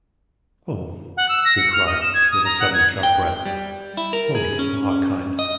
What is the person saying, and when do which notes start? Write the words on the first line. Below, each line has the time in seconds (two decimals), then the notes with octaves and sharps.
Oh," he cried, with a sudden sharp breath, "oh, you ARE kind.
1.17 F#5
1.29 E6
1.45 A#6
1.58 C#7
1.73 F6
1.87 D#5
2.01 E7
2.14 G#6
2.31 D#6
2.45 A#5
2.60 F#5
2.74 G#6
3.03 G5
3.46 G3
3.97 E4
4.13 A#4
4.35 G#4
4.59 C#4
5.39 D#5